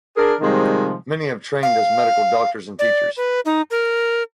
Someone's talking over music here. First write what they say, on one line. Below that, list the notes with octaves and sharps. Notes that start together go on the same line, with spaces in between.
Many have trained as medical doctors and teachers.
D4 G#4 A#4
C3 D#3 F3 G3 G#3
F5
D5
B4
D#4
A#4